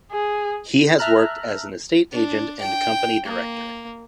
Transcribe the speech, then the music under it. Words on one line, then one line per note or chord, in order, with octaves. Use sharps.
He has worked as an estate agent and company director.
G#4
E5 A5 A#5 F6 F#6
D4
G5
A#3